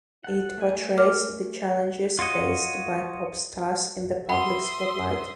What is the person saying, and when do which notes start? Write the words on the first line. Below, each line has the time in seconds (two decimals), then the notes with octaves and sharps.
It portrays the challenges faced by pop stars in the public spotlight.
0.24 A4 F#5
0.58 A3 G#5
0.97 A#4 D6 F6
2.19 F4 F#4 C#5 D#5
4.29 E5 F#5 G5 B5 C6 D#6